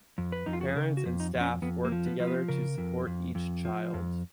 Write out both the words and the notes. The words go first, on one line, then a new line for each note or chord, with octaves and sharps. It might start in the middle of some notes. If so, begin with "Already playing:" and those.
Parents and staff work together to support each child.
F2
B4
F2 D#4
F4
F#4
G#4
C#3 A#4
F#4
F2
D#4
F2
C#4
F2 B3
A#3
F3
B3
F3
B3
C#3 A#4
F2
F2
F2
F3
F2